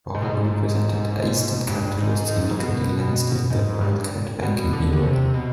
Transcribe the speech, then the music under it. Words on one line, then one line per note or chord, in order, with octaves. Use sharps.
Ball represented eastern capitalists in locating lands during the "wildcat banking" era.
G#2
B2
G#2
G#2
G2
G#2
G#2
B2
G#2
G2
B2
D3
D3
C3
B2